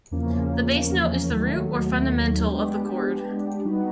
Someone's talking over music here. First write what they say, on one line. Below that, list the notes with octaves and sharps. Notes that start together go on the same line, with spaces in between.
The bass note is the root or fundamental of the chord.
E2 C#3 F3 A#3 C#4
D#2 D#3 F#3 A3
G#3 B3 D4 G4
G3 B3 D#4 F#4 B4